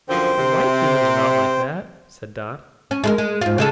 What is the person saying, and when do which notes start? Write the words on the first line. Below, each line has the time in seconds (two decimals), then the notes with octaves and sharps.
"But white Humans are not like that," said Dot.
0.09 F#2 D3 F3 C5 G5
0.37 C3
2.91 C#4
3.04 G#3 E4 A#4
3.18 G#3
3.41 G#2 F4
3.58 C#3 G#3 A4